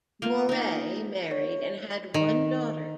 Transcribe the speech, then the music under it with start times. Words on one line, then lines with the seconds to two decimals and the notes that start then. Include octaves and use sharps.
Mouret married and had one daughter.
0.22 A#3 F4
0.49 A#3 D#4
1.31 C#5
2.14 D#3